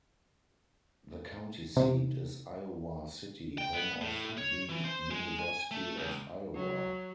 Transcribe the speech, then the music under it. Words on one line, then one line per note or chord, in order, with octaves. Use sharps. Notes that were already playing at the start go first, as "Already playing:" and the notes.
The county seat is Iowa City, home of the University of Iowa.
C3
G5
B3
A2
C#5
E3
C5
G#3
G#5
A3
C#2
F#3